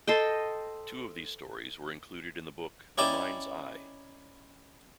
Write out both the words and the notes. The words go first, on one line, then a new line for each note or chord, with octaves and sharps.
Two of these stories were included in the book The Mind's I.
A4 C5 D#5 G5
C#4 D#4 E4 D5 G5 A5